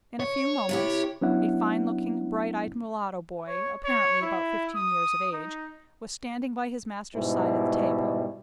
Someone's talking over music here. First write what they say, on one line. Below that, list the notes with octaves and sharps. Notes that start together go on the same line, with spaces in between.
In a few moments a fine looking, bright-eyed mulatto boy, apparently about fifteen years of age, was standing by his master's side at the table.
C#5
C3 E4 G4
F#3 B3 C#4 D4 E4 F#5
C#5
C#5
E4
D#6
D#4
G#2 B2 G3 E4